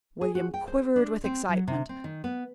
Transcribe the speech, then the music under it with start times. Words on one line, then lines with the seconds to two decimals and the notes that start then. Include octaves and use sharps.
William quivered with excitement.
0.21 G#4
0.35 F#4
0.54 G5
0.68 C5
0.96 D4
1.24 C4
1.49 F#3
1.68 C3
1.89 C4
2.04 D#3
2.24 B3